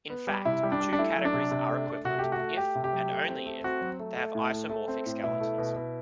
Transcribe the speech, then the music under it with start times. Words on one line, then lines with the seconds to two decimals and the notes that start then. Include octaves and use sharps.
In fact, two categories are equivalent if and only if they have isomorphic skeletons.
0.10 B3
0.27 G3
0.45 C3 E4
0.63 G3
0.72 D4
0.81 G3
0.93 D4
0.99 A3 E4
1.16 F#3
1.25 D4
1.34 C3
1.51 C3
1.69 A3
1.87 A3
2.05 C3 F#4
2.19 A3 G4
2.32 F#4
2.40 A3
2.57 A3 G4
2.75 C3
2.84 G4
2.93 F#3
3.11 A3
3.29 C4
3.46 A3
3.64 C4 F#4
3.81 F#3
3.99 A3
4.17 A3
4.35 A2
4.52 A3
4.69 A3
4.88 C4
5.06 A2
5.23 B2 E4
5.40 A3
5.58 B2
5.76 B2